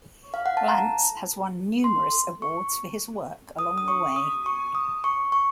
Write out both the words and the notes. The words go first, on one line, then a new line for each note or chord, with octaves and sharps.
Lantz has won numerous awards for his work along the way.
F5
F#5
A5
A#5
C6
C#6
D#6
D#6
C#6
D#6
C#6
D#6
C#6
C#6